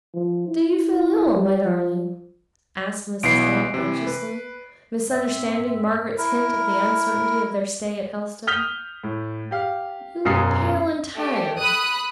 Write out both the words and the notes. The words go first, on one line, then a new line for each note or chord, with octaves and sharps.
'Do you feel ill, my darling?' asked Mrs. Hale, anxiously, misunderstanding Margaret's hint of the uncertainty of their stay at Helstone. 'You look pale and tired.
F3
E4
G3
F3
B1 E3 B3 C7 D7
C3 E3
B4
G#2 B3 C4 E5
E4 A#4
D#6 F6 G6 B6 F7 G7
A2
G4 F5
E1 F#2 F5 D#6 C7
A3 G4
B5 D#6 F#6